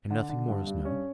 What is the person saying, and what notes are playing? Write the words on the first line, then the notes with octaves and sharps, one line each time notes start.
"And nothing more is known?"
D3
D3
G2
G2
C#4